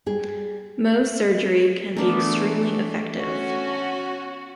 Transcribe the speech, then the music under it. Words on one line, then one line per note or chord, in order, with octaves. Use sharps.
Mohs surgery can be extremely effective.
G3 G#4
E3 A3 B3 D4 A#4
C#4 F#4